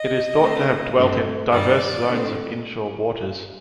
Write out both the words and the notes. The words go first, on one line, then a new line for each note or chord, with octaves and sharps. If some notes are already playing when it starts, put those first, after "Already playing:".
It is thought to have dwelt in diverse zones of inshore waters.
Already playing: D#5
D3 A3 C4
G2 D3 A3 C4
G2 D#3 G3 D5
D3 A3 C4